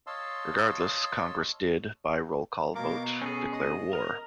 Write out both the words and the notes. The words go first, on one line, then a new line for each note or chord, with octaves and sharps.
Regardless, Congress did, by roll-call vote, declare war.
C#5 D#5 F5 A5 C6 E6
B2 A#3 A#4 D6
C#4 G#4 A4
D#5
A#4 F6